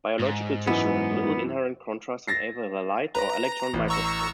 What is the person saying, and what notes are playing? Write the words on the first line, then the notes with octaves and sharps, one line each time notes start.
Biological tissue has little inherent contrast in either the light or electron microscope.
G#2
F#2 E3 B3 D#4
A6 A#6 C7
B4 A#5
A1
A#5 C#6 E6